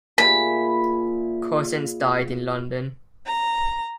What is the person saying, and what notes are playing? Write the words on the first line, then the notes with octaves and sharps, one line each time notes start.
Cozens died in London.
A#2 G#4 E5 B5
A#5